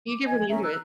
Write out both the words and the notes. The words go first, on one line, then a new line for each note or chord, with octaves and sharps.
you get really into it.
D6
D#5 G#5 G#6
C#4 G#4 E5 A#5
A#5 E6 F#6